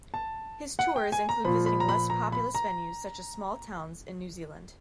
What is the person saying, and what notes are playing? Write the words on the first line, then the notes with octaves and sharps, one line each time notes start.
His tours include visiting less populous venues such as small towns in New Zealand.
A5
F#5
G5
G#5
A#5
A#2 F3 B5
B5
A#5
B5
A#5
B5
A#5